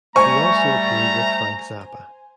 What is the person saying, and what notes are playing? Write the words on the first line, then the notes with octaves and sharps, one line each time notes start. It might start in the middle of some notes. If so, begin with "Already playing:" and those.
He also appeared with Frank Zappa.
G3 A3 C5 G#5 A#5 C#6